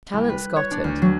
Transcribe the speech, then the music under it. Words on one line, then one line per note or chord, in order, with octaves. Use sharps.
"Talent's got it."
C2
B4
C#5
D4
D2
F#3